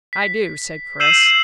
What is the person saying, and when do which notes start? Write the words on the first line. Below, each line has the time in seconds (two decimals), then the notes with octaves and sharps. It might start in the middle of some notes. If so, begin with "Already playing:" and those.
"I do," said Chris.
0.13 B6
1.00 E6 G6 C7 D#7 E7 F#7